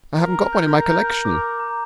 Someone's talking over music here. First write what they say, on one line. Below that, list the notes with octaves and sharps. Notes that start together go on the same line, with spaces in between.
I haven't got one in my collection.'
A#4 A#5
G6
G6
D6
A#5